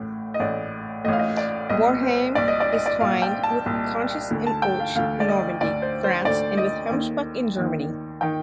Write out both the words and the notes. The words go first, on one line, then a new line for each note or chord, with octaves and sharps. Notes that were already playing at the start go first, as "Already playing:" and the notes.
Wareham is twinned with Conches-en-Ouche in Normandy, France and with Hemsbach in Germany.
Already playing: A1 A2
D#5
A1 A2 D5
A1 A2 D#5 F5
D#5
D5
C2 A#2 D#5
C5
C2 A#2 D5
D#5
D5
D#5
D5
C2 A#2 F5
G5
A5
C2 A#2
D2 D3
A5
G5
F5
D2 D3 F5
D5
D#5
D2 D3 D5
C5
C5
D2 D3 D5
D#5
D#2 D#3
D#2 D#3
D#3 G5